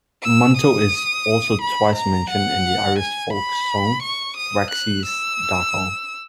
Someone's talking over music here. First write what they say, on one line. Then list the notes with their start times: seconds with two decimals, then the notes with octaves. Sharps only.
Monto is also twice mentioned in the Irish folk song "Waxies' Dargle".
0.23 E6
0.57 D#6
1.61 B5
1.96 A#5
2.30 F#5
2.99 G#5
3.33 B5
4.03 C#6
4.37 D#6
4.71 F#6
5.06 E6